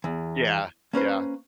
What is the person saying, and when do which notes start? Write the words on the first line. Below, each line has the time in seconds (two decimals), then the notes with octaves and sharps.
Yeah, yeah.
0.04 E2
0.93 A#3 C#4 B4 C5